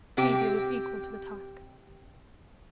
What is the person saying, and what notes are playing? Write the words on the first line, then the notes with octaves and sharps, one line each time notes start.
Kezia was equal to the task.
C3 C4 G4